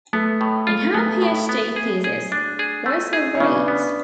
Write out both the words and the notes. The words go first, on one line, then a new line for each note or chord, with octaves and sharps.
In her PhD thesis Why So Great?
A3 B3
A2
F4
A3 B3
A2
B3
G#4
G#4
D4
G#4
A3
G#4
C#4
C#3 B3 D4
B3